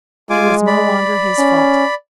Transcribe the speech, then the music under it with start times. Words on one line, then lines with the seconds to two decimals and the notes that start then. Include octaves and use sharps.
It was no longer his fault.
0.30 G#3 F4 G#5 D6
0.67 D5 B5
1.38 C#4